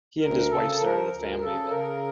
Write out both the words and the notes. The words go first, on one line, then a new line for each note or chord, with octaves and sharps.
He and his wife started a family there.
D2 A#4
C#3 A4
F3 A#4
D2
C#3 A4
C#3 A#4